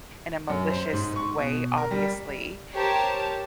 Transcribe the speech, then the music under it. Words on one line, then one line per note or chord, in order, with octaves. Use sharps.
in a malicious way, obviously."
F#2
C5
G#2
C#6
B2
A#4
G3
G4 A#4 C5 C#5 A5